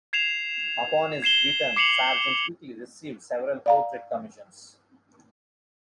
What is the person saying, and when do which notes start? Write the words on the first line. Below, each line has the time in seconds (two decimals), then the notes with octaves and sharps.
Upon his return, Sargent quickly received several portrait commissions.
0.13 G#6 C7 E7 F7
1.22 G#6 C7 E7 G7
1.76 D6 C7 C#7 F7 F#7
3.66 D5 F5 A#5